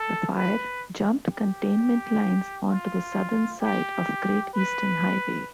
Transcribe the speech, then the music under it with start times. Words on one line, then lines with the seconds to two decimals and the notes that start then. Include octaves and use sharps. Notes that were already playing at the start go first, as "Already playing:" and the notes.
The fire jumped containment lines onto the southern side of Great Eastern Highway.
Already playing: A4
0.35 B4
1.29 G4
2.68 F4
3.60 G4
4.53 B4